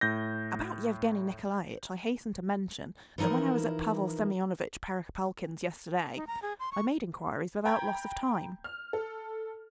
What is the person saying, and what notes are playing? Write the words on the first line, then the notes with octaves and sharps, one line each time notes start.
About Yevgeny Nikolaitch I hasten to mention that when I was at Pavel Semyonovitch Perepalkin's yesterday I made inquiries without loss of time.
A2 G6 A#6
E3 F3 D#4 E4 A#4
D#4
A#5
G#4
C6
C#6
G5 A#5 B5 G6 G#6
F6
A4